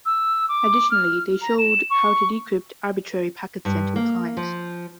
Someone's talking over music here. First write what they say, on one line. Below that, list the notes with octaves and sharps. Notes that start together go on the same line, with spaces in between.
Additionally they showed how to decrypt arbitrary packets sent to a client.
E6
D6
F6
A#5
E7
C#6
G2
A#3
F3